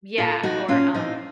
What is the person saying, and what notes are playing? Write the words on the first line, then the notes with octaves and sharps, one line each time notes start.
Yeah. Or, um
A#2 F4 A4
F3 D#4 F#4
A#2 C#4 F4
F3 C4 D#4